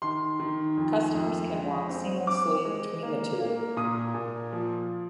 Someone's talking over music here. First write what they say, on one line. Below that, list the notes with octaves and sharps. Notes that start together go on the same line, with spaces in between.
Customers can walk seamlessly between the two.
D#3 C6
D#3
F2
F2
G#3
C4
C4 D6
G#3
A#3
A#3
A#2 D#6
A#2
F3